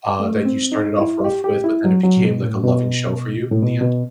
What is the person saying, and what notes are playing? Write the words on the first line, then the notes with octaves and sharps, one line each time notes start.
uh, that you started off rough with, but then it became, like, a loving show for you in the end?
A3
C4
D#4
E4
G4
G4
E4
F#3
F#3
A2
B2
A2
B2
A2
B2
B2